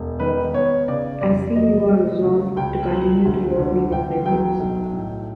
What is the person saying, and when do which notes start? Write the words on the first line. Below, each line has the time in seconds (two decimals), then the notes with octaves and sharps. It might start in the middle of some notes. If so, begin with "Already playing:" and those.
I see you are resolved to continue to load me with benefits.
Already playing: E1
0.19 D#3 B4
0.54 B3 C#5
0.88 C#3 D5
1.21 F2 D5
1.55 F#3 D#5
1.89 A3
2.23 C#3
2.56 C#2 G5
2.91 F#3
3.25 D2
3.58 D3
3.91 D2 G5
4.26 F#3 G5
4.60 B1
4.93 A2